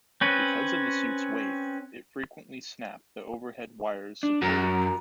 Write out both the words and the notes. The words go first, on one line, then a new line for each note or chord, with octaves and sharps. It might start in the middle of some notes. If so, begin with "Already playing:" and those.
Because of the suit's weight, it frequently snapped the overhead wires supporting it.
C4 C#4 B4
D4
F#2 F#4 A#4 A#5